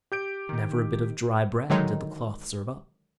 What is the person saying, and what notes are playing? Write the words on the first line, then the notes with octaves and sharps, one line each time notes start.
But never a bit of dry bread did the cloth serve up.
G4 G6 D7
D#3 D#4
D3 D#3 F#3 G#3 D#4